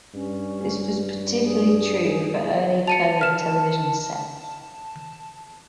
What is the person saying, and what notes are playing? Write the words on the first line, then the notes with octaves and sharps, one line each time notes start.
This was particularly true for early color television sets.
G2 C#4
G#4
A5 C#7 D#7 F7
F6 E7